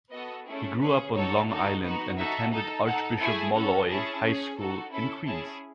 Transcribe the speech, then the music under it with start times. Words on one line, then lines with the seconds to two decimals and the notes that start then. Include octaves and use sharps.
He grew up on Long Island and attended Archbishop Molloy High School in Queens.
0.11 B3 F#4 A4 D#5
0.46 A3 C#4 E4 G#4
0.80 C#4 G#4 B4
1.14 D#4 F#4 A4 C#5
1.49 D#4 F#4 A4
1.83 B3 D#4 F#4
2.17 D#4 F#4 A4 E5
2.51 D#4 A4
2.86 D#4 A4 F#5
3.20 A3 E4 G#4 G#5
3.55 C#4 F#4 A4
3.89 C#4 E4 G#4 A5
4.23 C#4 G#4
4.58 D#4 F#4 A4
4.92 C#4 E4 A4 B5
5.26 C#4 E4 G#4 A5